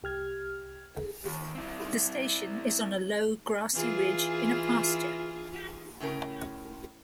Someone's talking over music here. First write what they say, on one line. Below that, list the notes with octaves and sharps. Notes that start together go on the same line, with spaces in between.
The station is on a low grassy ridge in a pasture.
C2 G4 F6 G#6
D#2
C4 E4
E3 F4 G#4
A2 C#3 C#4 A#4